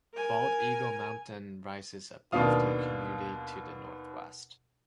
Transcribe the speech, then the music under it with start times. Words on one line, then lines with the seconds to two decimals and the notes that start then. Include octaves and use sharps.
Bald Eagle Mountain rises above the community to the northwest.
0.14 A#4 G#5
2.32 D#2 B2 D4 F4 F5 D#6